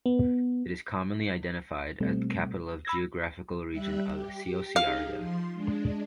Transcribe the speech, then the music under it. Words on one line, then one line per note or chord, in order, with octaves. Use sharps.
It is commonly identified as the capital of the geographical region of Ciociaria.
B3
B2 G3 A3 C4
B5 E6 G#6 A#6
G3 E5 F#6
G4
D#4 G4 G#4 F5
F3 C6
G#3 D4